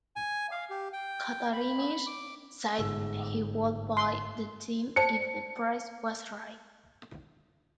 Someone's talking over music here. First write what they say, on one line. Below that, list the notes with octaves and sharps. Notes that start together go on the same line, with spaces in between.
Cattarinich said he would buy the team if the price was right.
G#5
F5
G4
G5
B5
D6
G1 G#2 E6
C6
C5 D5 A5 C#7